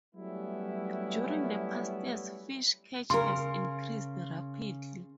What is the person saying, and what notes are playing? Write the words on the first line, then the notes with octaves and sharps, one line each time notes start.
During the past years, fish catch has increased rapidly.
F#3 G3 A3 B3 C#4 E4
C#3 A#4 C6